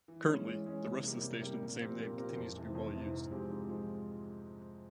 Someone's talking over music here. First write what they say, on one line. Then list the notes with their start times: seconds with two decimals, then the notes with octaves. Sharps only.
Currently the rest of station of the same name continues to be well used.
0.08 E3
0.28 G#3 C#4
0.47 E3
0.66 G#3 C#4
0.84 C3
1.03 G3 A#3
1.23 C3
1.41 G3 A#3
1.61 A#2
1.80 F3 C4 G4 A#4
1.99 A#2
2.18 F3 C4 G4 A#4
2.36 F2
2.55 C3 E3
2.75 F2
2.93 C3 E3
3.12 G#2
3.31 F3 G#3 C4 G4
3.50 G#2
3.69 F3 G#3